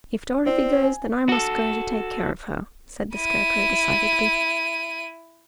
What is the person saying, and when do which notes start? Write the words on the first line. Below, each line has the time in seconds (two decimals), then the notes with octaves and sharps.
"If Dorothy goes, then I must go to take care of her," said the Scarecrow, decidedly.
0.46 C4 E4 C5 D5
0.83 G#5
1.29 F#4 A4
3.15 E4 D#7